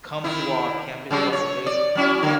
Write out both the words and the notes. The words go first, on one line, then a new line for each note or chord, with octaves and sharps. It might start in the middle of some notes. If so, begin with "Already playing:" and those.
come through our campus throughout the day
D#3 D#4 E4
C#3 F#3 G3
C#5
D5
F#3 C#4 E4
D3 A#3